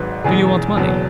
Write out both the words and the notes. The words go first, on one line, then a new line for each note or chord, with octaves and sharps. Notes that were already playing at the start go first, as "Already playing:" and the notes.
Do you want money?
Already playing: G#1 G#2 F#3 B4
E1 E2 E3 G#3 G#4
F#1 E2 B2 F#3